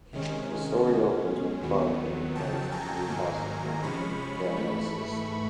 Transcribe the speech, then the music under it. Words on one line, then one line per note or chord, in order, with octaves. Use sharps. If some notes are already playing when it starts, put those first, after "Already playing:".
The story opens with Bud being placed with a new foster family, the Amoses.
C3 D#3 G#3 C#4
B2 G#3 C#4
D#2 D#3 F#3 B3
F2 C#3 F#3 G5 A5
G#5 A#5
G#2 D#3 F#3 A#3 G#5 A#5
C3 F3 G#3 C#4 B5 C#6
G#2 E3 A3